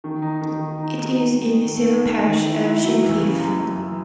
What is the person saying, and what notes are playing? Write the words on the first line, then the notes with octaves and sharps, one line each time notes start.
It is in the civil parish of Shincliffe.
D#3
D#4
D#3
D#3
D#4
D#4
D#4
G#3
D#3
A3
D#3
D#3
D#3
E4
E4
F#3
E3
C#3
F#2
F#2
E3